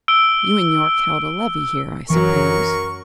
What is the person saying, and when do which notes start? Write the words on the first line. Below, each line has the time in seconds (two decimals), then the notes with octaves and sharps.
You and Yorke held a levee here, I suppose?
0.08 E6 D7 G7
2.10 F#2 E3 F#3 A#4 C#6